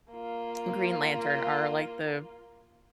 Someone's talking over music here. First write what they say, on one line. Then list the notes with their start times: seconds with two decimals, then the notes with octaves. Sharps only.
Green Lantern are, like, the,
0.11 A#3 F4